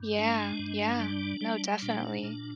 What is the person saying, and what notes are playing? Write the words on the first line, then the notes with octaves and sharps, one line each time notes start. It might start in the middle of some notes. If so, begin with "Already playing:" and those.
Yeah, yeah, no, definitely.
Already playing: G2
G#3 D4
G2
G3
G3
A#2 D4
A#2